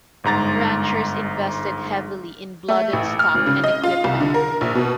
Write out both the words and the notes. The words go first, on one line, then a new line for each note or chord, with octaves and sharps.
Ranchers invested heavily in blooded stock and equipment.
G1 G#2 A#5 A6
A3
A1
F6
G#1
C#3
D#5
F4
C2
D3
A#4
A#1
B2